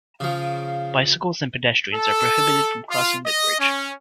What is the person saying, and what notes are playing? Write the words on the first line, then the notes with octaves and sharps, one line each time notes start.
Bicycles and pedestrians are prohibited from crossing the bridge.
C#3 F3 F5
A4
F4
D#5
C#4